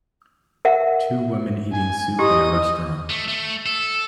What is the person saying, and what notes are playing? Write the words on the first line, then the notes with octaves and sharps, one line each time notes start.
Two women eating soup in a restaurant.
A#4 E5 F#5
G#5
E4 G4 D#5 C6 D#6
A3
A3
A4